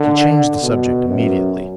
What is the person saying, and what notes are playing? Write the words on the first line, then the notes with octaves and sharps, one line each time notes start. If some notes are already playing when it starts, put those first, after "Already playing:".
She changed the subject immediately.
Already playing: D3
B2
F#2